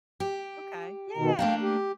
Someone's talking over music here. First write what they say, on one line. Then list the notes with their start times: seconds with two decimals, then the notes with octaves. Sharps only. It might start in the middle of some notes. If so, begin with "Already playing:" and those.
Ma okay, yeah.
0.20 G4
1.17 B2 D#3
1.39 A3 A#3 D4 F5 G5
1.62 G4